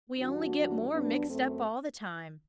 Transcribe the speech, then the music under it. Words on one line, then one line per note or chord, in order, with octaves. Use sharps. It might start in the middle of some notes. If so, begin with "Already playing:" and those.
We only get more mixed up all the time.
F#2 E3 G3 D4 F#4
F#2 E3 G3
G2 F#3 B3 D4
F#2 A3 C4